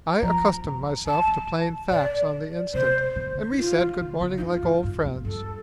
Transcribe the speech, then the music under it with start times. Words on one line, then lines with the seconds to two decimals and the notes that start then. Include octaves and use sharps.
I accustomed myself to plain facts on the instant, and we said good-morning like old friends.
0.22 F3 A#5
0.64 D#3
1.06 D#3 A5
1.27 F3
1.48 F3
1.69 A#2
1.90 A#2 D5
2.74 C3 C5
3.16 D3
3.51 D#4
3.57 F3 F4
3.78 D#3
4.00 D3
4.21 D3
4.38 D#4
4.41 F2 F4
4.63 G2
4.84 G2
5.05 F2
5.25 G2 A4